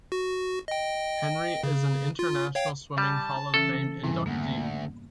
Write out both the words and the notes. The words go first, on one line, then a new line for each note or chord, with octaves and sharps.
Henry is an International Swimming Hall of Fame inductee.
F#4
D#5 G5
C#3
F4
C#5 F5 G5
G3 A5
C#3 E3 C#4 A4
F2 G#2 E3 G3
D2 A#3 B3